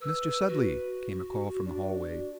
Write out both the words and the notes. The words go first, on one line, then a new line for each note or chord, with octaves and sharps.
"Mr. Sudley!" came a call from the hallway.
B4 E6
F#4
D4